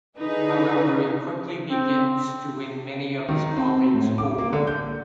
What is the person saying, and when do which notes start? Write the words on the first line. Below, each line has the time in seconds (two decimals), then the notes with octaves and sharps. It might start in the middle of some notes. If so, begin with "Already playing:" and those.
However, he quickly begins to win many of his colleagues over.
0.18 D3 D#4 E4 G#4 B4
1.70 C4
3.29 D#3
3.57 C4
3.94 A2
4.18 D6
4.38 A#3
4.53 D3
4.67 G6